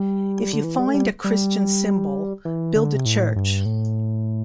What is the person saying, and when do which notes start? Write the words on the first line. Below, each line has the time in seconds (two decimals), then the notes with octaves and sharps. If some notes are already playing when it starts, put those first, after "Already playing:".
If you find a Christian symbol, build a church.
Already playing: G3
0.53 D3
0.64 E3
0.79 G3
0.87 A3
0.94 G3
1.24 G3
2.45 E3
2.75 D3
2.94 C3
3.06 A2
3.36 G2
3.65 A2